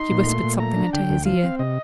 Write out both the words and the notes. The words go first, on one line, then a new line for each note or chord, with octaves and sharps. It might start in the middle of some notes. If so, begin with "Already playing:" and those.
'She whispered something into his ear.
Already playing: D#4 C6
A#2
A3
A#2
A3 A#5
D4
D3 G5
D2
F3 F5
C4
C3 D#5